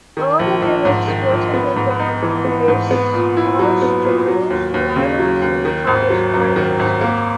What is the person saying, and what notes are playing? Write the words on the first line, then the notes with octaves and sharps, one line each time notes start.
All the lyrics were taken from Ms. Carr's journals, letters, and published writings.
D#3
A#1
A#1
G#2
D#3
A#1
B3
G#2
D#4
E3
B3
G#2
B3
A#2
E4
F#3
B3
A#2
F#3
D#2
D#2
C#3
F#3
D#2
D#3
G#1
F#3
F#2
D#3
G#1
A#3